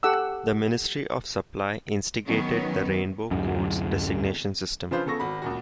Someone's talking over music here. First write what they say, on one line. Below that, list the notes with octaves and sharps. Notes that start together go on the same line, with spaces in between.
The Ministry of Supply instigated the Rainbow Codes designation system.
G4 A4 F#5 D6 E6
D#3 F#3 B3 C#4
D1 F#2
C#3 F3 D4 F4 B4 C5
C#3 B3 A4 C#6 A#6
G#1 F#4 B5
C#2 A#2 F#4